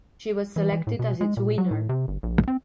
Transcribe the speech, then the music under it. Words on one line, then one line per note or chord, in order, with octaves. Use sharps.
She was selected as its winner.
E3
E3
A2
B2
G#3
A#2
F#3
A2
C3
G1
A#1
C4